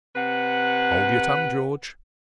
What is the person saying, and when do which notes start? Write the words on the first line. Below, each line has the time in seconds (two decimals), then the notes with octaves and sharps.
Hold your tongue, George!
0.15 C3 B4 F#5